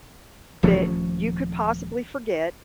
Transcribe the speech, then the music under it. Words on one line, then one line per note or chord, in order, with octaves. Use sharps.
that you could possibly forget,
D#1 F3 A3 C#4